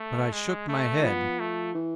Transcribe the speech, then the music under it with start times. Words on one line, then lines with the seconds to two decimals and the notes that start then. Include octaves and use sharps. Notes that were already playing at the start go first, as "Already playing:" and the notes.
But I shook my head.
Already playing: A3
0.32 G#3
0.69 A3
1.00 E3
1.03 F3 B3
1.40 A3
1.75 E3